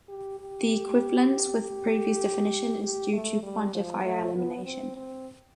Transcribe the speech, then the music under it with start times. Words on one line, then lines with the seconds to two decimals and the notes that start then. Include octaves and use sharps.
The equivalence with previous definition is due to quantifier elimination.
0.09 G4
0.39 G4
1.60 G4
2.82 G4
3.13 A3
3.43 G3
3.74 F3
4.04 A3
4.34 B3
4.65 C4
4.96 C4